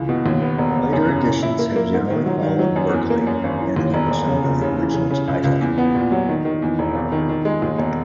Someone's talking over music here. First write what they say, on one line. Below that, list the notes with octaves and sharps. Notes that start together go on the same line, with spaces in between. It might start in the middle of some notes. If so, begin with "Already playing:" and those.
Later editions have generally followed Berkley and published under the original title.
Already playing: C#2 E3
B2
D#2
B3
E1
E1
F#2
C#3
E3
E4
A#3
A#3
G#2
D#3
F#3
D#3
F#3
F#2
E2
A#3
F#2
G#1
E3
D#2
E1
E1
C#3
F#1
C#3
E3
C#3
C#3
C#2
C#2
E2
B3
A#2
F#3
D#3
D#3
E2
E1
G#1
D#3
D#3
G#3
D#2
E1